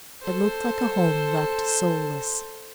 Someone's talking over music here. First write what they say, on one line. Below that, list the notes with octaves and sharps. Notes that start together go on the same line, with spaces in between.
It looked like a home left soulless.
A4 C5